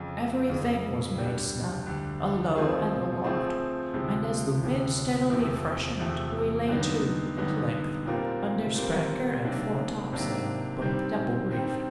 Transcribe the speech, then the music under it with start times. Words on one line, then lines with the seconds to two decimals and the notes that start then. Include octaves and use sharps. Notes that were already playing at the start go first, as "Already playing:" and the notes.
Every thing was made snug, alow and aloft; and as the wind steadily freshened, we lay to, at length, under spanker and foretopsail, both double-reefed.
Already playing: F2 C#3 F3
0.50 F2 C#3 F3
1.18 D2 D3 G3
1.86 D2 D3 G3
2.56 F3 A3 C4 F4 G#4
3.24 F3 A3 C4 F4 G#4
3.93 D2 C3 F3 G#3
4.62 D2 C3 F3 G#3
5.30 E2 C3 F3 A3
5.99 E2 C3 F3 A3
6.68 G2 D3 F#3 B3 D#4
7.37 G2 D3 F#3 B3 D#4
8.06 A#2 G3 C4 F4 A#4
8.75 A#2 G3 C4 F4 A#4
9.43 C3 D#3 F#3 A#3 D4
10.12 C3 D#3 F#3 A#3 D4
10.81 G2 D#3 G3 C4
11.50 G2 D#3 G3 C4